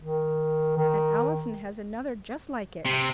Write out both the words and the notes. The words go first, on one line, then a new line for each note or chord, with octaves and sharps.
And Allison has another just like it.
D#3
D#3
C3